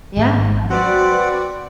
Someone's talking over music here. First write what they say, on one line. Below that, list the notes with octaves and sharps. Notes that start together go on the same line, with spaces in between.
Yeah. I agree.
G#1 G#2
C4 F#4 B4 D5 F#5